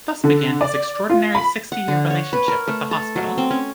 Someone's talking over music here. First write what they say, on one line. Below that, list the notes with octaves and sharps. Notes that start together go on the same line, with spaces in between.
Thus began his extraordinary sixty-year relationship with the hospital.
D3
D5
F4
B5
F#5
D3
C#5
B4
A#4
A3
A4
F#3
C4
C#4